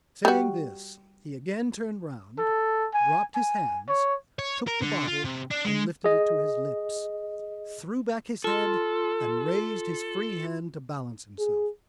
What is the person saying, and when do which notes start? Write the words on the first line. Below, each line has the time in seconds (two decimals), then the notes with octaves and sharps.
Saying this he again turned round, dropped his hands, took the bottle and lifted it to his lips, threw back his head, and raised his free hand to balance himself.
0.25 G3 F#4
2.38 A4
2.93 G#5
3.35 G#5
3.88 C#5
4.39 C#5
4.67 A#4
4.82 D3
5.07 F4
5.24 C3
5.51 D4
5.65 G#3
6.04 G#4 D#5
8.44 F4 A4 C6
11.39 G#4